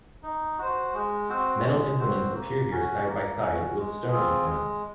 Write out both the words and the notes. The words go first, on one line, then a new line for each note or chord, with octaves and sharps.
Metal implements appear here side-by-side with stone implements.
D#4
F#4 C5
G#3
C4 F#4 C5
G#3
C4 F#4 C5
A#3
C#4 F#4
A#3
C#4
F#4
G#3
C4 F4 G#4
G#3